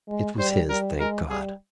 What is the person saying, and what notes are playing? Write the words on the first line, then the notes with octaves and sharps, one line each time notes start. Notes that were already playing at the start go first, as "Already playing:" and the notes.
It was his, thank God!
G#3
G3 C5
G3 A#4
G#3 A#4
G3 G#4